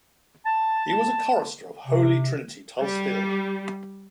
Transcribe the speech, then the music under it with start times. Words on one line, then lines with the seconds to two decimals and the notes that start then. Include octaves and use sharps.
He was a chorister of Holy Trinity, Tulse Hill.
0.45 A5
1.87 C3
2.81 G3